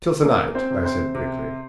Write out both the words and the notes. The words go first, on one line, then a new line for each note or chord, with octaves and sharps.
"Till to-night," I said quickly.
G#3 A#3 A#4
C4 C5
C3
C4 C5
C3